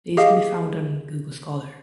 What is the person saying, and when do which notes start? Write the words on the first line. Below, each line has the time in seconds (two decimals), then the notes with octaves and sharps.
These can be found on Google Scholar.
0.17 G4 G#4 D#5 F5